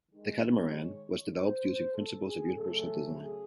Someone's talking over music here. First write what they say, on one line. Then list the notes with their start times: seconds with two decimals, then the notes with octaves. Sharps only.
The catamaran was developed using principles of universal design.
0.11 D#3 G#3
0.72 C#5
1.32 C5
1.63 C5
1.94 A4
2.25 G#4
2.54 C#3 F#3 A3 A4
3.15 G#4